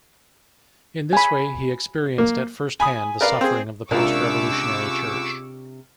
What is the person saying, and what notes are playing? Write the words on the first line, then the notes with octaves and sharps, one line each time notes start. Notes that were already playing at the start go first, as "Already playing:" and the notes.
In this way he experienced at firsthand the suffering of the post-Revolutionary Church.
G#5 B5
A#3
G#5 B5 D#6
A#4 B4 D5 F5
C4 G#4
C#2 C3 D4 F4 A#4 C#6 D6 E6